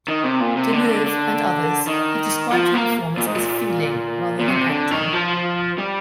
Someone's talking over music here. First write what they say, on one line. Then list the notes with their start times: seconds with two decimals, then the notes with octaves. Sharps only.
Deneuve and others have described her performance as feeling rather than acting.
0.08 D#3
0.24 C3
0.40 A#2
0.57 C3
0.73 D3
0.89 D3
1.06 D3
1.87 D#3
2.52 F3
2.74 A#3
3.17 A#2
3.26 G#2
3.35 A#2
4.39 A#2
4.48 C3
4.69 D3
4.91 D#3
5.13 F3
5.78 G3